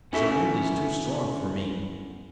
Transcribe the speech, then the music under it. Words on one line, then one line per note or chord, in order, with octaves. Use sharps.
"Ze wind is too strong for me!"
B3 C#4 E4 F#4 A4 E5